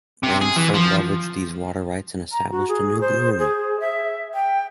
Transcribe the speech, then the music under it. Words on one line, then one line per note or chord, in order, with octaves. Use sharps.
Rainsford leveraged these water rights and established a new brewery.
C3
G#4
E3
F3
A#5
F#4
G#4
C5
G#4
E5
G5